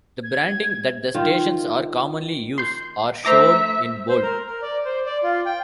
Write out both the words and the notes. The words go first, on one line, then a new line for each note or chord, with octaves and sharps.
The branding that the stations are commonly use are shown in bold.
G#6
D#3 F4
C6 G6
A3 C5 E5 A#5 D6
C5
A#4
A#4
D5
C5
D5
F4
G5